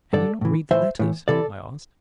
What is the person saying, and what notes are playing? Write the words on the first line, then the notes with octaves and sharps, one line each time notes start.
"Can you not read the letters?" I asked.
G2 D3 A4 D5
A2 E3
A2 E3 C5 E5
A2 E3
C3 E3 A4 D5